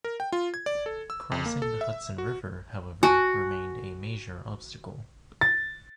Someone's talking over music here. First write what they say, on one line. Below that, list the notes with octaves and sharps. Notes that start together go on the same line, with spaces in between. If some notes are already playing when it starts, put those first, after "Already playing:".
Crossing the Hudson River, however, remained a major obstacle.
A#4
G5
F4
G#6
D5
A4
E6
F2
A#3
A4
E5
F#4
F#4 G#5 A5
A6